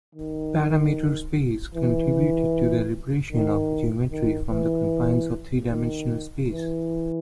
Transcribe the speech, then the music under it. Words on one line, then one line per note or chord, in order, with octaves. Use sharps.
Parameter space contributed to the liberation of geometry from the confines of three-dimensional space.
D#3
E3
D#3
D#3
E3
D#3
E3